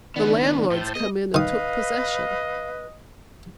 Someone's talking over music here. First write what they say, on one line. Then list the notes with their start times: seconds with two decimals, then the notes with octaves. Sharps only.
The landlord's come in and took possession.
0.16 C#2 D#3 B3 D4
0.70 A2 C5 A5 G6
0.95 B3 G#4 D#5
1.34 D#3 B4 D#5 F5 D#6